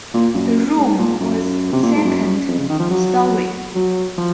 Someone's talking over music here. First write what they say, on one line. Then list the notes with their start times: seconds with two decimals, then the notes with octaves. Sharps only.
The room was second storey.
0.14 A#2
0.34 F#2
0.77 G#2
0.98 A#2
1.20 F#2
1.73 C3
1.83 A#2
1.95 G#2
2.05 F#2
2.47 F2
2.58 C#3
2.69 D#3
2.79 F3
2.90 F#3
3.75 F#3
4.18 F3